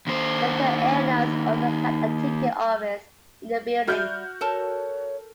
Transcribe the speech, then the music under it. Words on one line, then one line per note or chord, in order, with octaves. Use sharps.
Delta Air Lines also had a ticket office in the building.
D#2 C5
G3 F#4 D5 E5 F6 G6
A4 A#4 C#5 A5